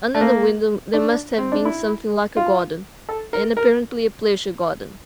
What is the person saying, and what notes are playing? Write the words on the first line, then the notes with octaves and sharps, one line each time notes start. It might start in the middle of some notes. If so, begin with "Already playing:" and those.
Under the window there must have been something like a garden, and apparently a pleasure garden.
A3
A#3
D4
C4
D4
E4
F4
A4
A#4
A#4